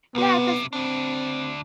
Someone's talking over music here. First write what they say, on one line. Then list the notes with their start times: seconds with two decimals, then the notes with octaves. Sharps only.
Yeah, 'cause
0.15 B1 C3 B3
0.73 D2 C4 D4